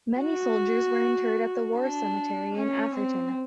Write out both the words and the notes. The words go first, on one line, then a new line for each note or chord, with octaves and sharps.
Many soldiers were interred at the war cemetery in Atherton.
F#4
D4
C#4
C4